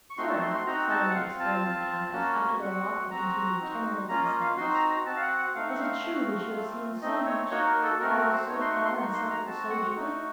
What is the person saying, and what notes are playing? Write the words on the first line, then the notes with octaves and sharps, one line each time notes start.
"Sir," suddenly exclaimed the countess, after their walk had continued ten minutes in silence, "is it true that you have seen so much, travelled so far, and suffered so deeply?"
C#6
A3 C4 D#4 F#4 C6
A5
C6
C6
C4 D#4 F#4 A#5
A5
F#5
C4 F4 F5
A5
C4 F4
A#3 C#4 F#4
C4 F#4 F#5
C4 F#4 A#5
C4 D#4 F#4
A#3 C#4 F4 A#5
D#5
F5
C4 D#4 F#4 C6
A#5
A#5
C4 F#4 A5
F5
F#5
F#5
A3 C4 D#4 F5
F#5
F5
A3 C4 F#4
A3 C4 F4
A3 C4 D#4 D#5
C#5
A#3 D#4 F#4 C#5
A#4
A4
A3 C4 F#4 A#4
A#4
C5
A3 D#4 F#4 C#5
C6
C#6
C6
A#3 D#4 F#4 C#6
C6
A#5
C4 F#4 A5
F#5
A3 D#4 F#4